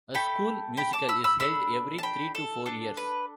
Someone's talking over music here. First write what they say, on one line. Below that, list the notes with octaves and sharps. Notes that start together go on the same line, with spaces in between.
A school musical is held every three to four years.
A3 E4 A4 G5 B5
G5 B5
A5 D6
B5 E6
B5 E6
D4 A4 B5 E6
A5
G5 B5
A4
D4 A4
B4